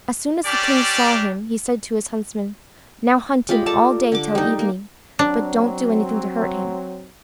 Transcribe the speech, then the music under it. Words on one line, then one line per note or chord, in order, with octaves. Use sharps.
As soon as the king saw him, he said to his huntsmen, "Now hunt him all day till evening, but don't do anything to hurt him."
G3 C#4 D4 G4 D5
G#3 F4 G4 B5
A4 D5 A5 A#5
D3 D6
G3 D#4
A#3
F#3 C4 D4